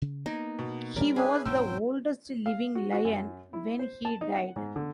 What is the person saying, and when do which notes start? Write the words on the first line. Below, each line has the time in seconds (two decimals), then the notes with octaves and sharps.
He was the oldest living Lion when he died.
0.02 C#3
0.26 A#3 B3 D#4
0.59 B2
0.96 G3 C#4 A#4
1.16 C#4 D4 G#4 B4 E5 G#5 D#6
1.45 E1 G#2 F#3 C4 C5 G5 E6
2.46 F5
2.75 F#4
2.93 F#4
3.05 F#2
3.53 E4
3.79 C5
4.05 A5
4.21 D#4
4.36 F#5
4.56 G#2
4.76 D3